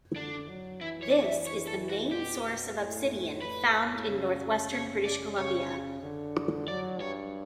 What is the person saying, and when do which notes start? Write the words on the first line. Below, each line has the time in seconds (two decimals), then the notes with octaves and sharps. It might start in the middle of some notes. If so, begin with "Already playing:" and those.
This is the main source of obsidian found in northwestern British Columbia.
0.15 D3 D4
0.48 F#3
0.81 E3 E4
1.03 C#5
1.10 D5
1.17 C#5
1.24 E5
1.47 C#5
1.67 A4
1.90 F#4
2.11 B2 G4
2.77 A2
3.42 A2 B4
4.07 C#3
4.72 C#3 C#5
5.05 D5
5.37 C#3 C#5
6.03 D3
6.68 F#3 D5
7.00 G2 C#5